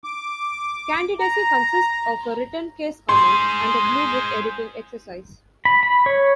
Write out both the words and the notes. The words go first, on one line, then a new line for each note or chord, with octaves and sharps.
Candidacy consists of a written case comment and a Bluebook editing exercise.
D6
A#5
G#4 C5 C6
B5
B5
C#5